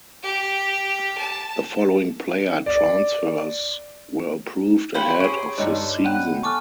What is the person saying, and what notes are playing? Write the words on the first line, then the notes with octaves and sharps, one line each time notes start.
The following player transfers were approved ahead of the season.
G4
A5
D5
C#3 G4 G5 B5 C6
C#4 G#4 C#6 D7
G2 D3 G3 D#4 C#5 D#5
B3 F#5 G5 F#6
A4 G#5 A5 C#6 D6 F6